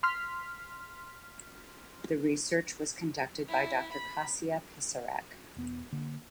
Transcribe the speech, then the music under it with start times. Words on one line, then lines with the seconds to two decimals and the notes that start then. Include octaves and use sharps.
The research was conducted by Doctor Kasia Pisarek.
0.03 C6 F6 B6
3.49 E4
3.92 B5
5.56 E1 B3
5.92 D3 A#3